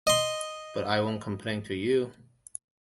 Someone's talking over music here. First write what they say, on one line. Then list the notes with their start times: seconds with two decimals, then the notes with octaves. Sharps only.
But I won’t complain to you!
0.07 D#5 C6